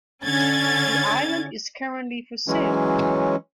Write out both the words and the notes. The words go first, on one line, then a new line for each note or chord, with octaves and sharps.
The island is currently for sale.
D3 C#4 G#6 A6
E3 F#3 G#3 C#4